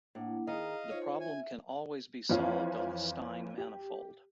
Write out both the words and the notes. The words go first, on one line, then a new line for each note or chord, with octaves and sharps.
The problem can always be solved on a Stein manifold.
A2 A#3 D4 F#5
D#3 G#4 D#5 F5 A#5
D#4 F4 C5 C#5
E5 G#5
F2 E3 F3 C#5 F5 F6
G4